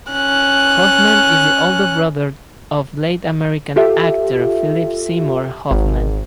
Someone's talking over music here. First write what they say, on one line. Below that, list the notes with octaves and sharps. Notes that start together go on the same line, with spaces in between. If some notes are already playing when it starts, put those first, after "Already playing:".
Hoffman is the older brother of late American actor Philip Seymour Hoffman.
C#4 F#6
F4 G4 A4 E5
G#1